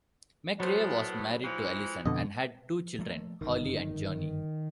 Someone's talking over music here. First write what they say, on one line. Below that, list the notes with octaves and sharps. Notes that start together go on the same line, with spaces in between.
McRae was married to Alison, and had two children, Hollie and Johnny.
A2 F#3 B3 C5
G#2 E3 F3
F2 B2 D3 D#5
F3 A3 A#3
G1 F#2 D#3